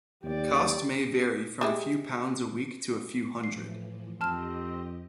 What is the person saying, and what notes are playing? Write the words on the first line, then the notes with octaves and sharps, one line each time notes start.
Cost may vary from a few pounds a week to a few hundred.
D#2 G4 D5
G3 G#3 E4
A2 E3 F3 C7
F2 C4 G4 D#5 A5 F6 E7